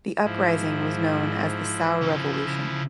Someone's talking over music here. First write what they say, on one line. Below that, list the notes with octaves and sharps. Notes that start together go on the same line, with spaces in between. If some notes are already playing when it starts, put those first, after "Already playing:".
The uprising was known as the Saur Revolution.
G#2 F3 E4
C#3 A4